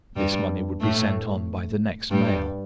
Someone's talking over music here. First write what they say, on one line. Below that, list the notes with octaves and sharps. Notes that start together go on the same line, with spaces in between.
This money would be sent on by the next mail.
G2 G3
A2 A3
G2 G3